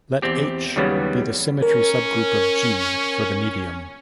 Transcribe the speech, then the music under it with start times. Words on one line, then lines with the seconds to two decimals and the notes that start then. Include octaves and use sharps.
Let "H" be the symmetry subgroup of "G" for the medium.
0.22 E2 C4 G4
0.76 D#2 C#3 F#3 G3 B3
1.62 C#4 A#4